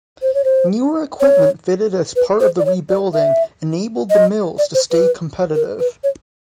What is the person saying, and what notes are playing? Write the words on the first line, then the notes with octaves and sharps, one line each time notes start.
Newer equipment fitted as part of the rebuilding enabled the mills to stay competitive.
C5
C#5
C5
C#5
B4
C5
D5
C#5
D5
E5
D#5
D5
C5
B4
A#4
B4
C#5